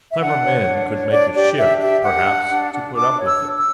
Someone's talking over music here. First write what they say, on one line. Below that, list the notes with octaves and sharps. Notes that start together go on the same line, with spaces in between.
Clever men could make a shift, perhaps, to put up with it.
E5
D4 F#5
C#5
D4
C#5
D4 D5
G4 D5
D4 E5
G4 E5
A#4 F#5
D4
D4
D4
D4 D6
C#5
E6
D4
E6